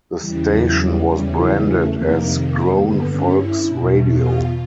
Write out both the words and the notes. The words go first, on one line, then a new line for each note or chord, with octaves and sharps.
The station was branded as Grown Folks Radio.
E2 C#3 E3 G3
F#3
G3
E2 C#3 E3 G3
G3
A3
F2 C3 D#3 A#3
A#3
G2 D3 B3
C#4
E4
E2 B2
F4